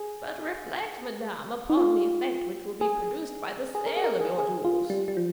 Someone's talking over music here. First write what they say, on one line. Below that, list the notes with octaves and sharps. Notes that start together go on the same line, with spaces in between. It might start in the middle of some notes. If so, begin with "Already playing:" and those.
"But reflect, madame, upon the effect which will be produced by the sale of your jewels."
Already playing: G#4
D#4
F4
G#4
G#4
A#4
G#4
A#4
G#4
G#4
F4
G3
G3
F3